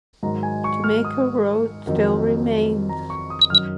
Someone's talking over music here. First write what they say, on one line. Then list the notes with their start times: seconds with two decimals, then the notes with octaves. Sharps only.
Jamaica Road still remains.
0.23 G#2 D#3 F#3 A#5
0.43 G#5
0.64 C#6
0.84 F6
1.05 D#6
1.87 F2 D#3 F#3
2.89 A#5
3.10 C#6
3.30 D#6
3.50 F#2 D#3 F#3 F6